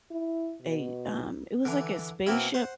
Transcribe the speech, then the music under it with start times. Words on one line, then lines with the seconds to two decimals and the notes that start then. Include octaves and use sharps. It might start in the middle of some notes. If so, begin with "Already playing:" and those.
a um, it was like a spaceship
0.11 E4
0.62 B2
1.65 D3 E3
2.26 B2 A#3 C4 E4
2.54 C5 F#5